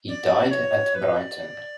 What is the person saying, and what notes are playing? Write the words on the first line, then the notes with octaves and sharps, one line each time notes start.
He died at Brighton.
D5
C#5
B4
D5